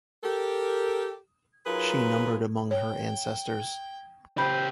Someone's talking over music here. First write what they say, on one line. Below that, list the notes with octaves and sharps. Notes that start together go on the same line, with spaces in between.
She numbered among her ancestors.
G4 A4 A#4
F#3 D#4 F4 G#4 A#4 B4
C#5 G5
C#3 G4 C5 B5